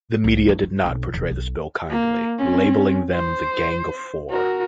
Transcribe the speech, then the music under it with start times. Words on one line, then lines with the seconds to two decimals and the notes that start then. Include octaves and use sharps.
The media did not portray the spill kindly, labelling them the 'Gang of Four'.
0.24 C2 D3
0.49 D4
0.63 C#4
0.84 B1 C4
1.14 D#1 C3
1.31 B1
1.91 A#3
2.39 C4 C#4
3.14 C5
4.30 F#4 A#4